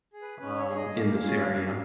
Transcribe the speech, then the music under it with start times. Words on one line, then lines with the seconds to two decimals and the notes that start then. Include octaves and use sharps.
um, in this area,"
0.13 G#4
0.22 B4
0.40 C#4 B4
0.58 C#5
0.68 G#4
0.77 D#5
0.95 A#3 F5
1.22 C#4 F4 G#4
1.50 A#3